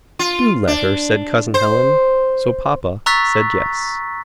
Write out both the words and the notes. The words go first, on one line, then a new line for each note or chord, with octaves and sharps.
"Do let her!" said Cousin Helen, so Papa said "Yes."
F4
D4
C5
A#5 C#6 E6 F#6 A6 B6